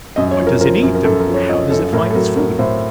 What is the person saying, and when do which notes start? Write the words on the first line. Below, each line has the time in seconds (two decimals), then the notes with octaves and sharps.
What does it eat, and how does it find its food?
0.16 F#2 D#5
0.31 C#5
0.39 F3
0.47 A#4
0.61 F3 A#4
0.83 F#2
0.95 A#4
1.05 F#2 A4
1.20 A#4
1.27 F3
1.34 C#5
1.49 F3 D#5
1.71 F#2 A4
1.93 A2 A#4
2.10 A4
2.15 F#3 A#4
2.37 F#3 A#4
2.59 A2 C5